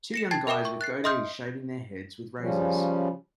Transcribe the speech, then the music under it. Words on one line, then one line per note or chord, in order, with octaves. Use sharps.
Two young guys with goatees shaving their heads with razors.
A#6 C#7 E7
G5 A5 G#6 A6 C7
A#4 E5 G5 D6 E7
C#6
F#6 A6 C7
D#5 E5 C6 D#6 F6 G6
C#3 F3 G3 C#4